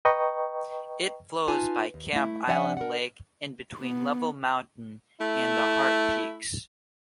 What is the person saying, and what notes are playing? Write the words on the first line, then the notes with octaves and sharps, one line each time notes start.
It flows by Camp Island Lake and between Level Mountain and the Heart Peaks.
B4 D#5 G5 A#5 C#6
D#4 F4 B4 G#5 A5
D#2
A3 E4
F3 D4 D5 E5 F#5 G#5
A#4 F#5
B3
A3 E4